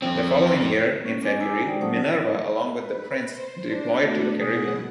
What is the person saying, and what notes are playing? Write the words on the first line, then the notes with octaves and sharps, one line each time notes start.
The following year, in February, "Minerva", along with the Prince, deployed to the Caribbean.
F2 C4
A#3 C#4
C4 D4 G#4 B4 G#5
D4 D#4 G#5 A#5 D6 E6
F#4 A4 G#5
G#3 D#4 G#4 C5 D5 G5
F#3 C#4 C5 F#5 A5 D#6
B4
C5
D4
A3 B3 F#4
B2 G#4 F#5